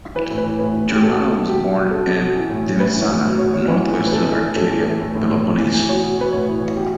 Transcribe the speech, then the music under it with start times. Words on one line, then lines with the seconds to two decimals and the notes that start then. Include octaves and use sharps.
Germanos was born in Dimitsana, northwestern Arcadia, Peloponnese.
0.15 E3 B4
0.30 A2
0.38 B4
0.44 E3
0.59 A2 B4
0.74 A2
0.89 A2
0.95 G4
1.03 B2 A4
1.18 B2
1.32 B2
1.47 B2 G4
1.62 B2
1.77 B2
1.91 B2 A4
2.06 B2
2.20 B2
2.36 E3
2.50 A2
2.65 A2
2.79 A2 B4
2.94 E3
3.01 C#5
3.09 A2
3.24 B2
3.38 B2 C#5
3.53 B2 C#5
3.68 E3 B4
3.82 E3
3.98 A2
4.07 B4
4.12 E3 A4
4.27 E3
4.42 A2
4.55 A2 A4
4.71 E3
4.85 E3
5.00 A2
5.15 A2
5.30 A2
5.44 A2
5.58 E3
5.74 E3
5.88 B2 C#5
6.03 B2
6.18 B2 B4
6.32 A2 C#5
6.47 E3
6.62 E3
6.76 B2 G4